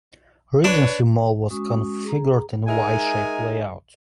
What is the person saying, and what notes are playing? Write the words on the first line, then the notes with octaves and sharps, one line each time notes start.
Regency Mall was configured in a Y-shaped layout.
D4 B4 C#5
G#3 C#4 F#4 C#6 D#6
G#4 A#5
G#3 D#4 A#4 E5 G#5